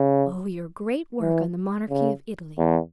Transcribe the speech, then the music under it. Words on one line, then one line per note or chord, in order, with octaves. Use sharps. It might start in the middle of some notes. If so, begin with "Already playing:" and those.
"Oh, your great work on the monarchy of Italy!"
Already playing: C#3
E3
C#3
E2